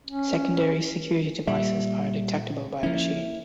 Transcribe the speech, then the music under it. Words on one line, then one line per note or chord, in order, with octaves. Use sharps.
Secondary security devices are detectable by a machine.
C#4
A#2 G3 E5
F3 A#3 C#4 E4